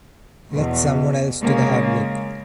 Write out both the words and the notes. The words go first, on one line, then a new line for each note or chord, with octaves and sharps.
Let someone else to the hard work.
E2 B2
C#3 G#3 A#3